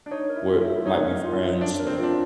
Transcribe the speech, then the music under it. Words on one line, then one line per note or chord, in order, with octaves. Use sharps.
where might be friends, so,
D4
D#4 C#5
A#4
E4
F4
E4
E5
E4
D#4 C#5
A#4
F4
E5
D4 C#5
A#4
C4
D4 F4